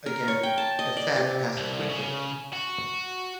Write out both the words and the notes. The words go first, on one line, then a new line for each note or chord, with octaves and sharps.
Again, the fad passed quickly.
A#4
C#5
G5
A5
D#5
D5
C3
C2
C#3
F#4